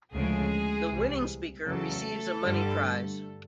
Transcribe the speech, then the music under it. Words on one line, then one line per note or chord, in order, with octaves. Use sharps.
The winning speaker receives a money prize.
D2 C#3 F3 G#3 G#4
C2 C3 E3 G3
E2 C#3 F#3 A3 A4
G2 D3 G3